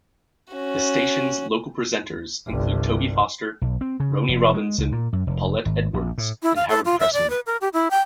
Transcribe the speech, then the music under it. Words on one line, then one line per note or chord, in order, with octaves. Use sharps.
The station's local presenters include Toby Foster, Rony Robinson, Paulette Edwards and Howard Pressman.
C#4 F#4
G1 C2
B1
C4
C#3
F1
G#3
C#2
A#2
F#2
F1
G#1
A#1
A2
E4
F5
A4
F4
E5
D5
B4
A#4
G4
E4
G5